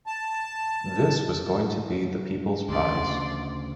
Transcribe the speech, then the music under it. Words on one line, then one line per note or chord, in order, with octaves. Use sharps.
This was going to be the people's prize.
A5
D2 C#3 D5 C6